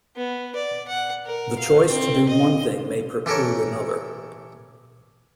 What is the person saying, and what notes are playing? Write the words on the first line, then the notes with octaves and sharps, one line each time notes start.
The choice to do one thing may preclude another.
B3
D5
F#5
A#4
F5
C4
D#5
E3 G4 A4 A#4 C#5